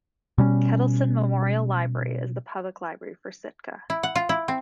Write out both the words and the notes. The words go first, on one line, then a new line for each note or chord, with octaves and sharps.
Kettleson Memorial Library is the public library for Sitka.
B2 G3 C#4
E4
F#5
F4
E4
C4